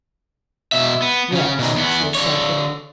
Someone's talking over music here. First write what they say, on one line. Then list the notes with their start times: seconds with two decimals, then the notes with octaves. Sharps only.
"Yes," she assented.
0.72 B2 E5
1.02 B3
1.32 C#3 C#4
1.59 B2 D#3
1.75 E2 B3
2.15 D3 C#5